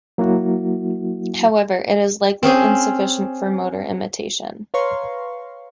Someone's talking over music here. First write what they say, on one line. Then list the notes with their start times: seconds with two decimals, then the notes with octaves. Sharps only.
However, it is likely insufficient for motor imitation.
0.18 F#3 A#3 E4 F#4
2.43 C4 C#4 G#4 C5
4.74 B4 C#5 F5 A#5 C6 C#6